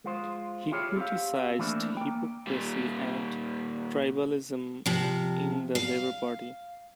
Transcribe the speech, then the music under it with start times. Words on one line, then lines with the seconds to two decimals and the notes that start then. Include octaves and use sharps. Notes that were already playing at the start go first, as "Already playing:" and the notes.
He criticised hypocrisy and tribalism in the Labour Party.
0.04 G#3 F4 C5
0.71 E4 F4 G4 G#4 C#5
0.97 C4 G4 F5
1.59 E3 A3 A#3 C4 D4 E4
1.97 A#3 G5
2.47 A#2 G3
4.86 C3 F3
5.75 F5